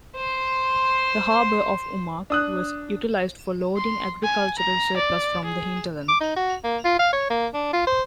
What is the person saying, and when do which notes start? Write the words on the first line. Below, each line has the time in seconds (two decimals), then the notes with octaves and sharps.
The harbour of Umag was utilised for loading agricultural surplus from the hinterland.
0.15 C5 C6
2.30 D4 D#6 F#6
3.77 C6
4.23 G#5
4.58 A#5
4.97 D5
5.45 G#4
6.09 D6
6.21 D#4
6.36 F#4
6.64 A#3
6.85 F4
6.99 F5
7.13 C#5
7.30 A#3
7.54 D4
7.73 F4
7.87 C5